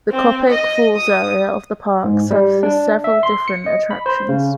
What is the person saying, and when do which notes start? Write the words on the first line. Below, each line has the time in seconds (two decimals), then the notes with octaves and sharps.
The Copake Falls Area of the park services several different attractions.
0.11 C4
0.50 D#5
0.96 D#6
2.04 G#2
2.31 G3
2.63 D4
3.04 E5
3.23 C6
3.48 C#7
3.66 D#5
3.91 B5
4.06 C5
4.29 C#3